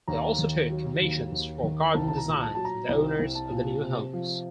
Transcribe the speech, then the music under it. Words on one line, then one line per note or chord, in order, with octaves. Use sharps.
They also took commissions for garden design from the owners of the new homes.
D#2 A#5
D#3
F#3
D#2
D#2
D#3
C2 A5
A5
A#5
A#2
A5
F#3 A5
A#5
C2 A#5
C2
A5
A#2
C3
F3